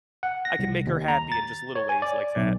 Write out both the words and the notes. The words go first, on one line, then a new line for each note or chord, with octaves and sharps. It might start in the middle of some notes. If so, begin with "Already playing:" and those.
I can make her happy in just little ways like that,
F#5
A#6
C2
D#2
A#5
A6
C#5
G#5
D5
B1